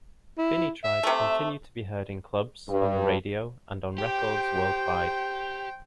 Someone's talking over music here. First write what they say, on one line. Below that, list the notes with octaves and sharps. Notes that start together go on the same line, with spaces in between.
Finitribe continue to be heard in clubs, on the radio and on records worldwide.
E4
E5
C3 A3
G2
G4 C5 G5